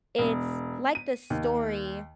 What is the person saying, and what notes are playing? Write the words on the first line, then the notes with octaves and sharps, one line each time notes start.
it's like the story
E1
D#7
D#2